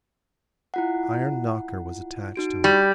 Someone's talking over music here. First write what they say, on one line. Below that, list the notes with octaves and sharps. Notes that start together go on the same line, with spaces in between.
An iron knocker was attached to it.
E4 F4 F#5
D#4 F#4 D7
G3 B5